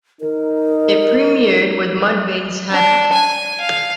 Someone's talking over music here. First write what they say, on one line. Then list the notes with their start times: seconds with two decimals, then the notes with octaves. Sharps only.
It premiered with Mudvayne's Happy?
0.21 D#4 A#4
2.70 D4
3.13 G#5
3.60 F5